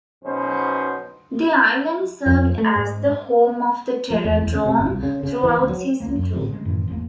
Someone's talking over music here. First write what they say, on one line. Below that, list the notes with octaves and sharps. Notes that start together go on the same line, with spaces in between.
The island served as the home of the Terror Drome throughout season two.
B1 B2 C#4 D#4 C5
F2
A3
G#2
F3
E2
E2
C#3
C3
G#1
C2
C#3
C#3
E3
D2
F#3
C#2 A#3
F#2 F#3
A1 A2 D3 C4
C#3 G#3
F#2 A2 D#3 E3
G#1 E2 B2 A#3